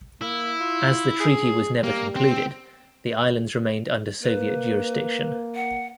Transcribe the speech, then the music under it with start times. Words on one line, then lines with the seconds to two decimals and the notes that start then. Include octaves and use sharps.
As the treaty was never concluded, the islands remained under Soviet jurisdiction.
0.21 A#3 E4
0.60 F4
1.20 G#4
1.84 G3 A#3
2.16 C4
4.23 A#3 B4
5.55 F#5